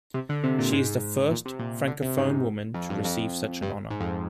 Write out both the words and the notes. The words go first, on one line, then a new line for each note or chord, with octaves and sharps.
She is the first Francophone woman to receive such an honour.
C3
D3
C3
A#2
G#2
A#2
C3
A#2
D3
C3
G#2
F2
G2
F2
G2
G#2
F2